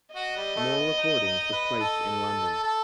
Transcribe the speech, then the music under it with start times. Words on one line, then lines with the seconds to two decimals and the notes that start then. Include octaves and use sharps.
More recording took place in London.
0.15 F#4 D#5
0.36 G3
0.56 A3
0.77 B3
0.98 D#4
1.26 D#4
1.52 B4
1.81 A4
2.63 A4